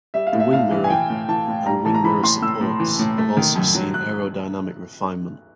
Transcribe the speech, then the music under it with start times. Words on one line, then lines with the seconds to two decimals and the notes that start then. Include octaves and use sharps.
The wing mirror and wing mirror supports have also seen aerodynamic refinement.
0.14 G3 E5
0.27 F5
0.33 A2
0.40 E5
0.53 A2 F5
0.71 E3
0.84 G#5
0.90 E3 G5
1.10 A2
1.28 E3 A5
1.48 A2
1.66 G3 A#5
1.85 E3 A5
1.94 A#5
2.04 E3 B5
2.23 A2 C6
2.42 A2 E6
2.61 A2
2.80 E3
2.99 A2
3.18 A3
3.37 D#3
3.56 F#2
3.75 F#3
3.94 F#6